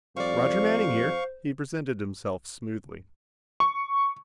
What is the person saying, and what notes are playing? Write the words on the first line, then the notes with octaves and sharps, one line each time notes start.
"Roger Manning here," he presented himself smoothly.
F2 G3 C5 D5 F5 C#6
C#6